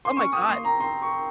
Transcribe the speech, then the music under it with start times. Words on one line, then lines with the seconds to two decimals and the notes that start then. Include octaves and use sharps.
Oh my god.
0.05 C6
0.17 C#4 C#6
0.33 C4 D#6
0.49 A#3 C6
0.65 C4 A#5
0.80 C4 C6
1.02 C#6